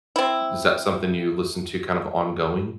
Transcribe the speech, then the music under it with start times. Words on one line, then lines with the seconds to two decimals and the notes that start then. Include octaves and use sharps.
is that something you listen to kind of ongoing?
0.16 C4 E4